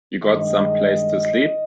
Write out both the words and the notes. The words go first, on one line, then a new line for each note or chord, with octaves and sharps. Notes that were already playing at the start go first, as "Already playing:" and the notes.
You got someplace to sleep?
G2 D#3 G#3 D#5